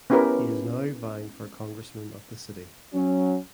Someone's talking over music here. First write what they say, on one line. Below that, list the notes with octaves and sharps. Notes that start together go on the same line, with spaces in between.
He is now vying for congressman of the city.
B3 C#4 E4 G4 A#4 B4
F#3 C#4